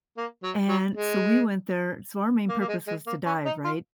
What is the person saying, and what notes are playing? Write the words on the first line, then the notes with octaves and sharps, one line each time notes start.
and so we went there so our main purpose was to dive, right?
A#3
F#3
F#3
G#3
A#3
A#3
G#3
G#3
A#3
C#4
D#4
F4